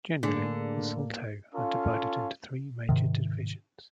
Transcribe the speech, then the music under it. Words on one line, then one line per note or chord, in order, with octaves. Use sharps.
Generally, the Saulteaux are divided into three major divisions.
A2 D3 A#3 D4 G#4
C#4 F4 A4 F5
G#2 C3 D#3